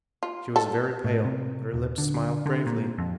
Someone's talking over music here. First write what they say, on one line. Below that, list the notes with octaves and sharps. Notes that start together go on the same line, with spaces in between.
She was very pale but her lips smiled bravely.
F4
A4
A2
C3
D#1
D3
D3
A#2
F2